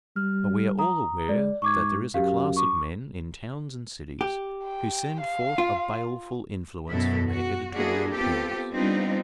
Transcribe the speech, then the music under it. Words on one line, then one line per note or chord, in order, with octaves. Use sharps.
But we are all aware that there is a class of men in towns and cities who send forth a baleful influence from their editorial pens.
G3 F6
A#5 D#6
G#3 D5
G#2 C#6 D6 G#6
F#2 G4 F5
C#6 D6
G4
G5
F5
F4
F#2 B2 F#3 E4 A4
F#4
A#3 D4 E4 F#4 G#4
B3 C4 F4 G4 A4
G3 B3 C4 D4 D#4 F4